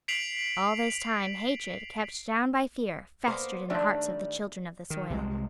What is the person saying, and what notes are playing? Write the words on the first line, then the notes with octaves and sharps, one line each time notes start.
All this time hatred, kept down by fear, festered in the hearts of the children of the soil.
B6 C7 D7 F7 F#7
A#3 B3 C5
D#3 G3 A3 D4 E5
D#3
C2 C3 F#3 G#3